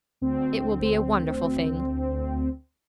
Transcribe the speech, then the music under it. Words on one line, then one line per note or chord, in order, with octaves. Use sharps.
It will be a wonderful thing!'
D2 C4